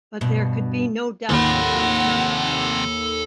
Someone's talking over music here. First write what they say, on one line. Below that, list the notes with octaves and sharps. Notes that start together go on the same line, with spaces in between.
But there could be no doubt about him.
G2 B2
D#2 C3 F3 A4 F#5 B5